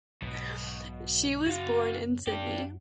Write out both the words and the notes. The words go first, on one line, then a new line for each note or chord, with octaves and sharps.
She was born in Sydney.
B1 G#2 B2
F#2 C#3 F#4 F5
F#2 D4 G4